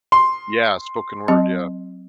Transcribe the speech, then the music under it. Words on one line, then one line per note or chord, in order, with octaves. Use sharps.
Yeah, spoken word, yeah.
C6
F#3 C4 D#5